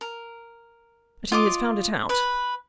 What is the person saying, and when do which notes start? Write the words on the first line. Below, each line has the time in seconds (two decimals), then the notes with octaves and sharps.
But he has found it out.
0.01 A#4
1.32 F4 D#5 D6
2.09 B4